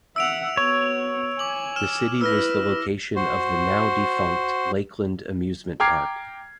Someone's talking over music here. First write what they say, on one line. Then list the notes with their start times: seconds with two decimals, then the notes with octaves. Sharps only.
The city was the location of the now defunct Lakeland Amusement Park.
0.16 E5 F#5 E6 D7 F7
0.57 B3 F#4 C#5
1.39 G#5 D6 F#7
1.76 F6 E7
2.21 E4 B4 E6 F6 A#6
3.16 F#4 C5
5.80 G5 A#5 D6 F6 G#6 C7